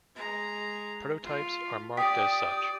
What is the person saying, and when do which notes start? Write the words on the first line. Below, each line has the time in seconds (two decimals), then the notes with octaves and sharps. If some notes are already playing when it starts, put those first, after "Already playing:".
Prototypes are marked as such.
0.15 G#3 A#5
1.23 F4
1.97 G4 D5 G5 D#6 B6